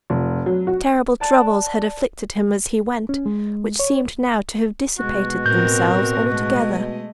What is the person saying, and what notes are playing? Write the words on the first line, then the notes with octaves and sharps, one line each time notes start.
Terrible troubles had afflicted him as he went, which seemed now to have dissipated themselves altogether.
F1
F#3
F#4
D5 A5 F#6
C#4
G#3
C#5
B2 G#3 F#4
A2 C4 A#4 G6
G#3 A3 D#5